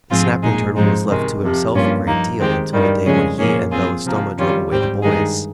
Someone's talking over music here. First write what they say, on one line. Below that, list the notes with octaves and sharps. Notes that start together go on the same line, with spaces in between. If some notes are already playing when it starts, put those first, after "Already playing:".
The Snapping Turtle was left to himself a great deal until the day when he and Belostoma drove away the boys.
G#2 F3 C4 F4 G#4
A#2 G#3 D#4 G#4
G#2 F3 G#3 C4 D#4
C3 D#3 G#3
F2 C3 F3
G2 F3 A#3 C#4 F4
F3 A#3 D#4
D#3 G#3 C4 G4
G2 D#3 G3
F2 C#3 G#3 C#4 G#4
A#2 F3 A#3 C#4 G#4
F3 C4 F4 G#4
C3 F3 A#3
F2 D#3 G3 C#4 F4
G#2 G3 C4 G4
G2 D#3 G#3 D#4 G#4